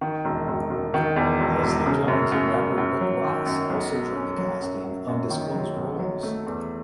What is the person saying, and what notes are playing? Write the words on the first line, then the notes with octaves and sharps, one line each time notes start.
Leslie Jones and rapper Rick Ross also joined the cast in undisclosed roles.
D#3
E1
E1
E1
D#3
E2
E1
E1
C#3
F#2
F#2
F#2
F#2
F#3
D#3
F#2
B1
B2
C#4
F#3
F#2
F#2
F#2
D#3
F#3
B1
F#3
A3
E2